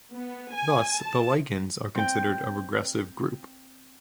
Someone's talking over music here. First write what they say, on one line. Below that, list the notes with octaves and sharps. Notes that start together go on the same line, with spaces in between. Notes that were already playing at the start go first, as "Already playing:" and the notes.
Thus the lichens are considered a regressive group.
B3
G#5
A5
C4 G5